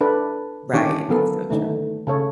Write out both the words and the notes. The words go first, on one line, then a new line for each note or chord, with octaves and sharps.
Right, it's so true.
D4 A4 B4
D3 D#3 C#4 D4 G4 C#5
D3 F#3 B3 A4 A#4
D3 D#3 A3
C#3 A4 C#5